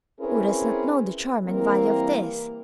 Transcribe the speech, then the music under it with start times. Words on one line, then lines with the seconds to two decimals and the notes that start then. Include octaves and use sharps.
Who does not know the charm and value of this?
0.20 C4 C#4 E4 G#4 A#4 B4
1.46 E3 G3 A#3 C4 A#4